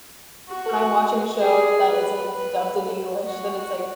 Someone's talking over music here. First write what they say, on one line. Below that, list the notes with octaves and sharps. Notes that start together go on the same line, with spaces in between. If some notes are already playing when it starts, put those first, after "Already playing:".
when I'm watching a show that isn't dubbed in English, then it's like,
F#4
G#4
B4
B4
F#4
F#4